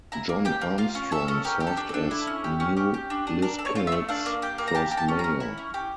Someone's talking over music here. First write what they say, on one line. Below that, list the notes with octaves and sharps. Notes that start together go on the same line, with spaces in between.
John Armstrong served as New Liskeard's first mayor.
E4 A#5
A#3
G4 G5
A#3
F4 F5
C#4
A4 E5
C#4
G4 A#4
G4
A4
D4
D4 A4
E4
C#4
G4
C#4
G4
G4
D4
D4
D4 A#4
A4
C#5
F4
E5
A3
D4 F5
A#3
G4 G5
A#3
A#5
G4 A5
G4
A5
C#4
A#5
C#4
E4
C#4
G4